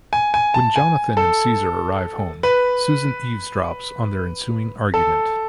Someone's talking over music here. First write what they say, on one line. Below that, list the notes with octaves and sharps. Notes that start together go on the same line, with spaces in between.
When Jonathan and Caesar arrive home, Susan eavesdrops on their ensuing argument.
G#5
G#5
A5
G#5
A4
B4
A4